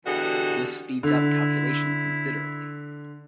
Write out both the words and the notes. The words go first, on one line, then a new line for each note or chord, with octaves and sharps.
This speeds up calculation considerably.
B2 D3 E3 G3 F#4 G#4
D3 E4